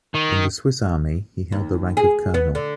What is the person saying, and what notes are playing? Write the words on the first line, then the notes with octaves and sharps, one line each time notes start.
In the Swiss army he held the rank of a colonel.
D#3
D#2
G#4
B3
D3